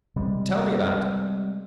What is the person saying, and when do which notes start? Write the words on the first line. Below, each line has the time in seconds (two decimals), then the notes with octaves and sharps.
"Tell me about it."
0.16 C3 G3 G#3